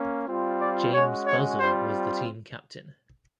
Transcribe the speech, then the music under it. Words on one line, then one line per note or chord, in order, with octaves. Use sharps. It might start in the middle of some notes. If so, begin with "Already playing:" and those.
James Buzzell was the team captain.
Already playing: A#3 C#4
G3 C4 F4
D5
G#3 C#4 F#4 C#5
C#5
G3 C4 F4 C5